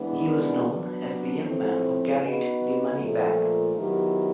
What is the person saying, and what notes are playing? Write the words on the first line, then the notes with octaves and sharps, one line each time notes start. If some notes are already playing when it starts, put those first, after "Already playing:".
He was known as the young man who carried the money bag.
Already playing: E3 G#3 B3 D4
F#3 B3 D4
A2 F3 A3 C4
B3 D#4 F#4 B4 D#5
A#2 F3 A3
D#3 F#3 B3 E4 G4